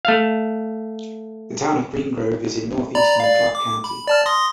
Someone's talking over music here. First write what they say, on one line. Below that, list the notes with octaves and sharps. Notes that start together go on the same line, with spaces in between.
The town of Green Grove is in northeastern Clark County.
A3 F5
D5 A#5 B5
D5 F5
D6
B5
D5 A5 F6
C6 D#6 A#6